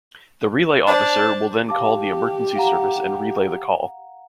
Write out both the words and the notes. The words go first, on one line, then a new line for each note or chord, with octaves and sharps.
The relay officer will then call the emergency service and relay the call.
D4 C5 D5 A5
G4 F5 A5 D6
F5 F#5 A#5